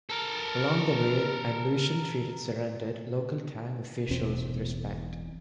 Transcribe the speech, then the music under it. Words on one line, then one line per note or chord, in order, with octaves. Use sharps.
Along the way, An Lushan treated surrendered local Tang officials with respect.
A4 A#4
E1 B1 E2 C4